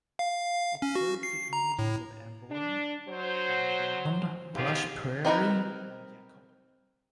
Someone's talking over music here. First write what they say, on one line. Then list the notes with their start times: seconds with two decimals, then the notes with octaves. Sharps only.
It serves the communities of Amboy, Battle Ground, Brush Prairie and Yacolt.
0.19 F5
0.54 F5
0.82 C#4
0.95 F#4
1.23 C7
1.53 A#5
1.79 A2
2.50 D4
3.08 F#3 C5
4.54 D#3 F3 B3 F4 G4 G#4
5.25 C4 D#4 A#4 B4